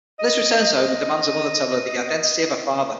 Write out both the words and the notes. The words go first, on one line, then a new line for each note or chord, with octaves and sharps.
Liz returns home, and demands her mother tell her the identity of her father.
D#5
D#5
D#5